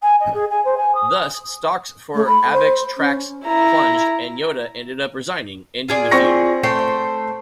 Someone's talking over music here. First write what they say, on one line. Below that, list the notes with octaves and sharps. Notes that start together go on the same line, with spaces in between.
Thus, stocks for Avex Trax plunged and Yoda ended up resigning, ending the feud.
G#5
D#5
G#4
G#5
C5
G#5
D#6
A3
B5
C5
C#4
E4 A#5
F4 G#4 D5
C4 C#6 A#6
A3 C5 G5